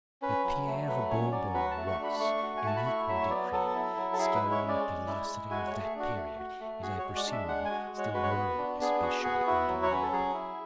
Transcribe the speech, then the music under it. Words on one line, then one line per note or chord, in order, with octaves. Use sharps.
That Pierre Bon-Bon was, in an equal degree, skilled in the philosophy of that period is, I presume, still more especially undeniable.
C#4 B4
F#3
A3
F#3 B4
C#4 C#5
F#3 D5
F#4 B4
A5
A3
C#6
D4 B5
A3 C#6
F#4
G#5
A3 A5
B5
E4 C#6
F#3 E5
C#5
B3 D5
F#3 A4
E4
F#3
A4
E4 G#4
G#3 B4
C#5
C#4
D5
G#3
E4
G#3
F#4 G#5
A3 C#5
G#4
D4 F#4
A3
F#4
A3
F#4 G#4
C#5
G#3
D5
D4
E5
G#3 F#5
G#5
F#4
G#3
C#5
F#4 B4
C#5
B4
B3
D4
B3 G#4
F#4 G#4
B3 G#4
G#4
E4 F#4
F#3
C#5
C#4 B4
A4
F#3 G#4
E4